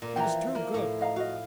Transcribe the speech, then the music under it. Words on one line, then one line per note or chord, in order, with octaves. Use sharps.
She was too good!
A#2
E3 F3 G5 A#5
A#3 A#4 D5
A2
D#5 F5 A#5
F#4 D#5 F5